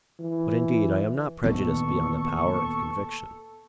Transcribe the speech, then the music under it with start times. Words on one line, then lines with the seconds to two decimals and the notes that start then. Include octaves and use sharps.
But, indeed, I am not prejudiced beyond the power of conviction.
0.20 E3
1.44 D2 A#2 D#3 B3 C4 A4 C#6